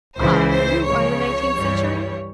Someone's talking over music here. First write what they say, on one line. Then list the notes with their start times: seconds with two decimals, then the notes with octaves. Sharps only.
Ah! you are the nineteenth century?
0.17 C#2 C#3 E3 C5
0.51 C5
0.86 C#2 C#3 F3 C#5
1.56 G2 E3 G3